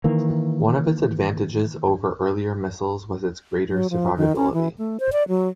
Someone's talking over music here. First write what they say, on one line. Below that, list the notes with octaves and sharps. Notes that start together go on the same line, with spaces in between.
One of its advantages over earlier missiles was its greater survivability.
D#3 E3 A#3
F#3
F3
D#3
C#4
E3
A3
C5
D5
F#3